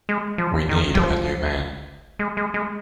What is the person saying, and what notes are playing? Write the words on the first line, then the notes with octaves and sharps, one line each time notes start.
We need a new man.
G#3
F3
D#3
G3
F3
G#3
G#3
G#3